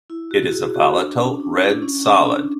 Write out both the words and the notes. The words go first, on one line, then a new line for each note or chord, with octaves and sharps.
It is a volatile red solid.
E4
F#4
G#4
F#4
D4
C#4
D4
D4
E4
C#4
D4
D4